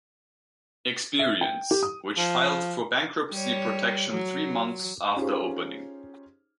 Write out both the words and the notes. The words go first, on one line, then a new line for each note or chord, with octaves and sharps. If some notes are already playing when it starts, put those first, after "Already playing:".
Experience, which filed for bankruptcy protection three months after opening.
E5
G5
G4
D#6
F3
G3 C#5
F#3
C#4 D#4 F4 G4 G#4 C5